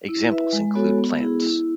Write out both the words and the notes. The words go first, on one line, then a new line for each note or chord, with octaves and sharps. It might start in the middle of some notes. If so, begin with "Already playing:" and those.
Examples include plants.
E4
B4 E5
G#3
B3 F#4 A4 C#5
B3
E4 G#4
E4